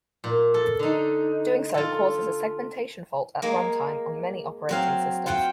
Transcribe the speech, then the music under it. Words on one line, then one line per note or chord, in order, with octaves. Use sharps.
Doing so causes a segmentation fault at runtime on many operating systems.
A#2
A4
D3 D#4
F4 A4
G#3 A#3
F#3 C4 F5
F4 C5 F#5 G5